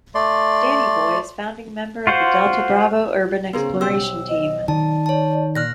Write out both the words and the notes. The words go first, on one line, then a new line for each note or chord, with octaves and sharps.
Danny Boy is founding member of the Delta Bravo Urban Exploration Team.
A3 D5 C6
F4 F#4 C5
C#3 B3 G#4 A#4 C5
B1 G4 C5 E6
D#5
D#3 D5 A5
C#5 A5
A#2 F6 F#6 A#6